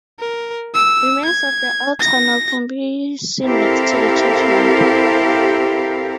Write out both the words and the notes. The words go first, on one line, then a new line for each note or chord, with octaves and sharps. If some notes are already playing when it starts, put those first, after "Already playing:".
Remains of the old tunnel can be seen next to the churchyard.
A#4
E6
G#6
A#6
C4 E4 G4 A4 A#4 F5